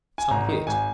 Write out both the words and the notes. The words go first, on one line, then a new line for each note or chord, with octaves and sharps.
Some hit!
G#5
G#1 A#5
D#3
G#1 G#5